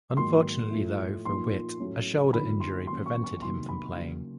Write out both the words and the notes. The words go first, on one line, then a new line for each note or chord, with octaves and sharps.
Unfortunately though for Witt, a shoulder injury prevented him from playing.
G#2 D#3 F#3 A#3 C6
A2 F3 A3
A#2 F3 A#3 D#4 C6
A2 F#3 A3 C#4
D3 F3 A#3 D#4 B5
C6
D#3 F#3 A#3 C#4 C6
C#6
C#6
C3 D#3 F#3 A#3 D#4 C6
B5
C#3 F#3 A#3